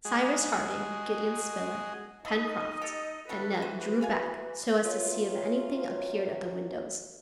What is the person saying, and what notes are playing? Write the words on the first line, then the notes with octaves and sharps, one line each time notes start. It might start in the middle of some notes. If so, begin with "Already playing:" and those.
Cyrus Harding, Gideon Spilett, Pencroft, and Neb drew back, so as to see if anything appeared at the windows.
G#3 F#4 G#4 D#5
A3 D#4 E4 D#5
G4 A4
D3 G3 A3 B3 B4
E3 F#4 B4 C5
B4 F5 G#5
F#2 F4 B4 C#5 E5